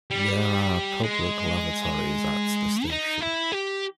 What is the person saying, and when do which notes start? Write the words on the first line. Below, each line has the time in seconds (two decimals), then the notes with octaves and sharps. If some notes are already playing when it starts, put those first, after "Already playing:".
There are public lavatories at the station.
0.11 G3
1.03 G#3
2.85 E4
2.90 D#4
3.21 E4
3.52 G4